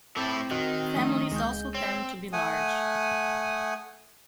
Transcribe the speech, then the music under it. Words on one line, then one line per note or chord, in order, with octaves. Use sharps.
Families also tend to be large.
A2 A3 C4 E4 D6 G6 A6
D#3 F#4 D#5 F#6
F3 A3 D4 D#6
C#2 G#3 G6
C4 C#5 E6
A3 F#5 G#5 D#6